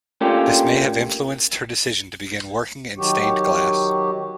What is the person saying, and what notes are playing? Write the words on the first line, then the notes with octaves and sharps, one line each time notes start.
This may have influenced her decision to begin working in stained glass.
A3 A#3 C#4 D4 F4 G4
D#3 F#3 F#4 G4